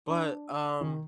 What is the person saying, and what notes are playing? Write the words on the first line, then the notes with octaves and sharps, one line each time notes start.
But, um
D4
D#3